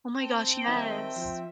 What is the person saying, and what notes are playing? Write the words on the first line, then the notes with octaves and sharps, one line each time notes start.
Oh my gosh, yes.
C4 G5 A5 G6
D#3 G3 D#4 E5
F3